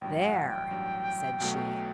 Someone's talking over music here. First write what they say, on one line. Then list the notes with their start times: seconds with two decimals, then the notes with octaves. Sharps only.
"There!" said she.
0.01 A1 G2 F#3 G5
0.25 F#5
0.48 G5
0.70 A1 G2 F#3
1.40 B1 B2 F#3 A3